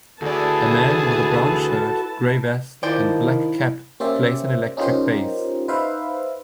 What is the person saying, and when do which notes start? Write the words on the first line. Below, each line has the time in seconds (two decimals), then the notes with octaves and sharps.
A man with a brown shirt, gray vest and black cap plays an electric bass.
0.22 D2 E3 F#4 G#4 A4 D5 A5
2.83 D#3 F3 E4 C5 D5
4.00 A#3 C#4 G4 C5 D5 E5
4.77 C#4 D#4 F4 G4 A#4 C5
5.68 D#4 B4 C5 E5 F5